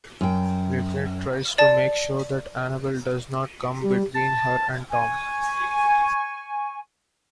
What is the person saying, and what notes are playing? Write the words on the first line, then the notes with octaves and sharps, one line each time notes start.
Lynette tries to make sure that Annabel does not come between her and Tom.
F#2 G5
D5 A5
G3
A5
G#5 C#6